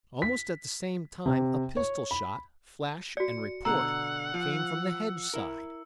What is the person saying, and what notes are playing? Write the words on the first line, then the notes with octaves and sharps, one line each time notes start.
Almost at the same time a pistol-shot, flash and report, came from the hedge side.
B6
C3
C#5
B5
F#4 D5 C#7
B2 D3 F#5 A#5 E6
F3
E4 A#4